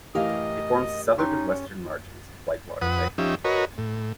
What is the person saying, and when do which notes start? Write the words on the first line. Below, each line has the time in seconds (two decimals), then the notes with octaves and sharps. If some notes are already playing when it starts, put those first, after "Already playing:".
It forms the southern and western margins of Whitewater Bay.
0.15 A2 E3 G4 A#4 D#5 F5
1.18 C#4 D#4 G4 C6 C#6
2.82 F2 B4 F#5 D#6
3.18 F3 C#4 D#4 G4 E5
3.44 F#4 A#4 B4 C#5 D#5
3.78 A2